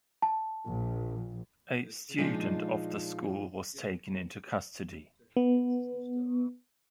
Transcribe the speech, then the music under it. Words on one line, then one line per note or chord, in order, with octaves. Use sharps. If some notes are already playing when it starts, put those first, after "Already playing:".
A student of the school was taken into custody.
A5
A#1
A#2 F3 G#3 D4 D#4 F4
B3